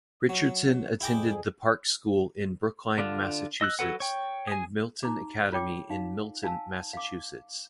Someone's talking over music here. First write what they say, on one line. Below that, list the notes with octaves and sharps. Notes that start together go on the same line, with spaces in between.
Richardson attended the Park School in Brookline, Massachusetts, and Milton Academy in Milton, Massachusetts.
F#3
F2 E4 G#4 G5 D6
D3 D4 F4
D#5 E6 F#6
F#3 F#4 A4 B4 F#5
C#5 G5
G#4 G#5
D#4 A#5 D6
F4 C#5 G5 D6
D#4 F5
F5 G#5 A5 E6
F5 D6